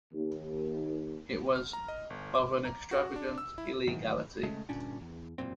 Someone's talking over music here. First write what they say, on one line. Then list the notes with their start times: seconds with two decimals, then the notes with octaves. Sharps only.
It was of an extravagant illegality.
0.13 D#2
1.56 F6
1.73 A#5
1.88 D#5
2.10 G1
2.35 D6
2.65 A#5
2.91 F#4
3.16 D4
3.38 E6
3.58 E4
3.87 G#2 D#3 E3 F#3
4.43 C#3 G#3 A3
4.69 G1 A#2 C#4 D4
5.01 E2
5.38 E1 F#2 A#2 C4